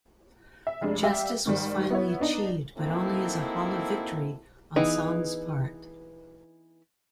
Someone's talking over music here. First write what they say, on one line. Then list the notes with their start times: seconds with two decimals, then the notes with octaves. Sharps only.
Justice was finally achieved but only as a hollow victory on Song's part.
0.67 E5
0.81 F1 G#3 D4
1.02 G3 G4 E5 F5 G5
1.46 G#2 D#3 G3
1.91 B3 E4 C#5
2.20 B3 D4 D#4
2.77 A#3 C4 D#4 E4 F#4 A4
4.76 E3 B3 D#4 G#4